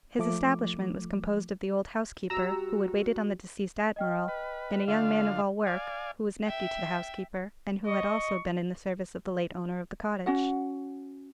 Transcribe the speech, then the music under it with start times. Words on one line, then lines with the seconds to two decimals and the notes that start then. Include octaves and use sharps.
His establishment was composed of the old housekeeper, who had waited on the deceased admiral, and a young man-of-all-work, who was nephew to the housekeeper, and who had also been in the service of the late owner of the cottage.
0.19 F3 A3 D6
2.30 G3 C4 F#4 G4 A#5 E6
3.96 D#5 G5 F6
4.28 B4
4.88 D3 F4 F5
5.67 D5 F5 G#5
6.44 E5 G5
7.86 D#5 C#6
10.26 C#4 F#4 F#5